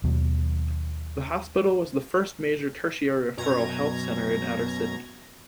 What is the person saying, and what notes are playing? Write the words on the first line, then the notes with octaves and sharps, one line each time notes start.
The hospital was the first major tertiary referral health centre in outer Sydney.
D#2 B2 F#3
F#2 B2 A#5 G#6